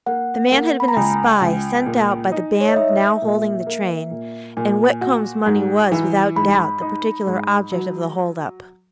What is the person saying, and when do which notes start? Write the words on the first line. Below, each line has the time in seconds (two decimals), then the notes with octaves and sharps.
The man had been a spy sent out by the band now holding the train, and Whitcomb's money was without doubt the particular object of the hold-up.
0.06 A#3 F#5
0.51 A#3
0.80 B5
0.88 A#5
0.96 C#2 G#5
1.41 C#2
1.86 A#2
2.32 D#4
2.61 C#5
2.69 D#5
2.76 D#4 E5
3.22 A#2
3.67 A#3
4.11 A#2
4.57 A#2 G#5
5.01 F#4
5.46 G#2
5.92 E3
6.36 G#2 B5
6.81 D#4
7.27 G#2
7.72 F#3